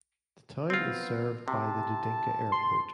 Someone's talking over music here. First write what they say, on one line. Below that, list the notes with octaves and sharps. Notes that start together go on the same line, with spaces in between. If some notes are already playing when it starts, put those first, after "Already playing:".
The town is served by the Dudinka Airport.
B3 C4 F4
C3 A5
C6